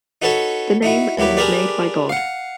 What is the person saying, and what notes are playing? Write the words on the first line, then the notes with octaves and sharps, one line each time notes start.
The name means made by God.
D#4 F#4 A4 B4 C#5 A5
D#4 E4 F#4
D#2 F#3 E4 G4 B4
D4 G4 G#4 A#4 B4 D5
F5 F#5